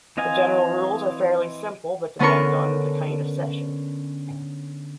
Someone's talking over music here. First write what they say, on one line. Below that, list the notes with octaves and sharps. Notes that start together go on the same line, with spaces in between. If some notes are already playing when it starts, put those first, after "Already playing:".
The general rules are fairly simple, but depend on the kind of session.
E3 C4 D#5 F5 G#5
D3 B3 C#4 A4 A#4 C#6